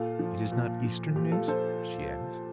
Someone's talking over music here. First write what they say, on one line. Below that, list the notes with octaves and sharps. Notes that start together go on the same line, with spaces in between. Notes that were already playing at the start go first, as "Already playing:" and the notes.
"It is not Eastern news?" she asked.
Already playing: A#2 F4 A4
F3
A#2
F3
A#2 G4
F4 A4
F3 A4 C5